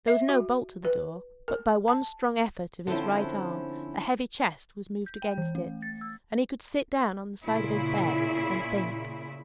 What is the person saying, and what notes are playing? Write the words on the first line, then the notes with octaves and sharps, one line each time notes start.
There was no bolt to the door; but by one strong effort of his right arm, a heavy chest was moved against it, and he could sit down on the side of his bed, and think.
E5
F#4
B4
A#4
A5
D3 F3 C4 C#4 E4
G6
G5
E3
A3
A6
E6
A#2 C#3 E4